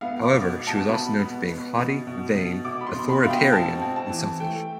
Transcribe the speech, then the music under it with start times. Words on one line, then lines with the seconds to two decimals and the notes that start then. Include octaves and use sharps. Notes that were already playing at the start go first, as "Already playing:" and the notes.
However, she was also known for being haughty, vain, authoritarian and selfish.
0.01 B3 F5
0.23 D6
0.31 B2
0.60 B3
0.67 A5
0.89 B2 B5
1.19 B3
1.48 B3
1.78 B2
2.07 B2
2.35 B2
2.65 B2 D6
2.81 B5
2.87 C6
2.94 B2
3.09 B5
3.23 B2 F5
3.30 G5
3.52 C4 A5
3.82 C4
3.96 A5
4.10 E3
4.40 A3 G5